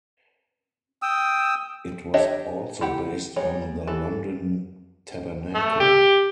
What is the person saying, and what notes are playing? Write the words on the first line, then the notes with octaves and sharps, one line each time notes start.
It was also based on the London Tabernacle.
G5 D#6 E6
D4 G4 C#5 D#5 E5
E4 G4 F#5
G3 G#3 C#5
E3 A4
A3
G4